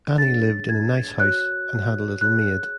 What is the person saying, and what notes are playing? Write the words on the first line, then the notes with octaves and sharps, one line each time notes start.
Annie lived in a nice house, and had a little maid.
D4 G#4 C#5 A6
G#6
F#4 C#5 F#6
G#4 C#5 F#6